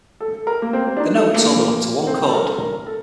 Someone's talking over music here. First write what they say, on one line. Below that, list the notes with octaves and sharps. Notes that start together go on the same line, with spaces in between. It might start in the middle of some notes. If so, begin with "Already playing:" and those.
The notes all belong to one chord.
A4
A#4
A#3
C4
C4
D4
D#4
A4
A#3
A#2 F3
C4
A4
A#4
A#4
A4